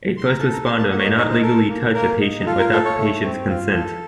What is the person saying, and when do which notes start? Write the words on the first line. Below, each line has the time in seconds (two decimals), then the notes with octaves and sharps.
A first responder may not legally touch a patient without the patient's consent.
0.17 C6
0.28 A#5
0.39 A4 A5
0.53 A#5
0.65 A#3 C6
0.78 A5
0.91 A#3 F#5
0.99 C#5
1.04 D#5
1.17 D#4 C#5
1.30 C5
1.42 A4 A#4
1.69 A#3
1.94 A#3 A#4
2.21 D#4
2.46 F4 A4
2.59 A#4
2.72 A4 C5
2.85 C#5
2.98 A3
3.24 C4
3.50 F4
3.75 A4